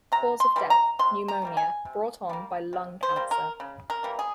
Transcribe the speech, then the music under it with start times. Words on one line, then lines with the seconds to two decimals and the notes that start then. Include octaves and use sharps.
Cause of Death: Pneumonia brought on by lung cancer.
0.12 C3 A#5
0.40 C6
0.56 E3 G3 A#3
0.70 A#5
0.99 C3 C6
1.28 A#5
1.42 E3 G3 A#3
1.57 G#5
1.85 C3
2.29 G3 A#3
2.73 C3
3.03 C5
3.16 G3 A#3
3.31 A#4
3.60 C#3
3.90 A#4
4.03 E3 G3 A#3
4.19 G#4